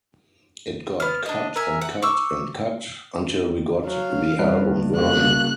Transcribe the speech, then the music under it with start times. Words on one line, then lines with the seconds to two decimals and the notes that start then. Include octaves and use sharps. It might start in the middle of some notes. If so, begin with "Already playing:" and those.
It got cut and cut and cut until we got the album version.
1.00 B3 F6
1.26 D4 D#5
1.56 A#4 E5 G#5
1.81 F#5
2.02 C#6 D6 E6
3.87 F#3 F5
4.39 G2 C3 B4
4.97 C#3 A#3 F#4 F#6